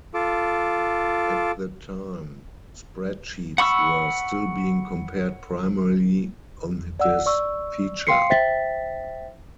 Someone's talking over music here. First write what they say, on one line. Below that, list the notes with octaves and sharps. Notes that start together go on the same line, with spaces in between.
At the time spreadsheets were still being compared primarily on this feature.
F4 A4 D6
F#5 B5 C#6 E6
D5 F#5 E6
D5 C#6 E6
F5 G5 C6 C7 C#7
C5 E5 G5 A6 B6